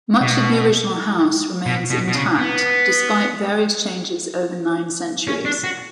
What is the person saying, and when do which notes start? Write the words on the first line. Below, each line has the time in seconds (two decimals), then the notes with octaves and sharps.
Much of the original house remains intact despite various changes over nine centuries.
0.22 B2
1.66 B2
1.90 B2
2.08 B2
2.14 C#3
2.39 B3
5.27 C#4
5.45 D4
5.64 F#4